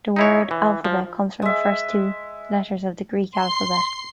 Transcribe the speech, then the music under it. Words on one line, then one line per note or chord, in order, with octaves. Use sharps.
The word "alphabet" comes from the first two letters of the Greek alphabet.
D#4 E4 C#5
E3
F3
G#3 E5
C6 C7